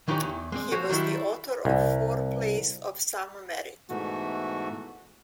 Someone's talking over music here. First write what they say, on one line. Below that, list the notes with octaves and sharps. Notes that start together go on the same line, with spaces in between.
He was the author of four plays of some merit.
D#3 E3 D#4 E4 G4 C#5
E2
G#3 C4 D5
F3 F#4 C5 C#5
D#3 F#3 G3 E4 C5
C2
G#2 B2 E3 A3 F#4